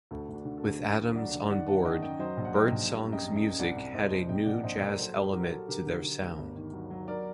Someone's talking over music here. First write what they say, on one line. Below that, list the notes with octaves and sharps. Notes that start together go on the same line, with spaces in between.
With Adams on board, Birdsongs music had a new jazz element to their sound.
D2 F#4 A4
D2
D4 F#4
D3
F#4 A4
D2
D3
D#2
F#3 D5 F#5
D3
D#3 D5 F#5
F#2 F#5 A5
D#3 D#5 G5
F#2 D#5 G5
F#3 C5 D#5
A#1
F#5
F#3 D#5 G5
A#1
G3
F#2
D#5 G5
F#2
D#5 G5
F#2
C2 D5 F#5
C2
C2 C5 D#5
C2
A#1 D#5 G5
A#1 D5 F#5
A#1 C5 D#5
A#1 A#4 D5
F#3 A4 C5
F#3 G4 A#4
F#3 G4 A#4
F#3 F#4 A4
D3 G4 A#4
D3
D3
D2
G1
D#3
F#3
F#3
F#3 A#4 D5